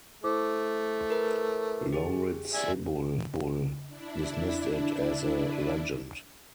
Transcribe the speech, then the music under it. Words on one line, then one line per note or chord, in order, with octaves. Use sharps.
Lauritz Weibull dismissed it as a legend.
A3 E4 C5 D6
A#4 B4
G4 G#4
D5 E5 G#5
D4 E4